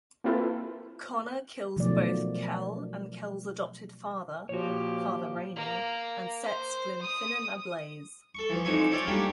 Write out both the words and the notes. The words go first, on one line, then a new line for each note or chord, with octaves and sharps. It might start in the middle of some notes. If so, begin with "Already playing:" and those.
Connor kills both Kell and Kell's adopted father, Father Rainey, and sets Glenfinnan ablaze.
A#3 C4 E4 F4 A4 B4
B2 D#3 F3 F#3 A3 D5
A#2 F3 F#4 G4 C#5
A#3
C5
D#6
A4 C#6
E3 F3
F2 D4 D#4 E5 G#5 C#6
C#4 F4 C#5 D5 G5
F#3 G3 A3 A#3 D4 G4